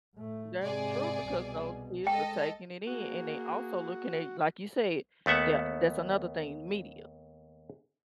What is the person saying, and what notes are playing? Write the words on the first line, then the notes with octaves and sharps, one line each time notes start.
That's true because those kids are taking it in, and they also looking at like you said, that that's another thing, media.
A2 A3
G#2 C3 G#4 D5 G#5
C2 B2
G#3 A4 D#5 G5
A#3 F#4 G#4
D#2 A3 B3 E5 F#5